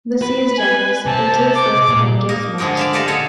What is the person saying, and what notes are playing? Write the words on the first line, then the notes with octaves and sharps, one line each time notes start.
The sea is generous - it takes little and gives much.
B4
G#5
C3 C4 A5
D6
A#2
A#3 D#4
D3 F3 G#3 D#4 G5
D5 E5 F5
F4 G4 A4 D5 D#5 F5
A#2 D3 D#4 A4 C#5